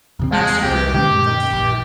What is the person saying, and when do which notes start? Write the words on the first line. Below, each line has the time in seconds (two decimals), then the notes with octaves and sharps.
That's true, that's true.
0.19 E2 C3 C4
0.33 G#3
0.63 C2 G4
0.94 D3 G#3 C#4 G4
1.11 F#2 A#2
1.53 A#1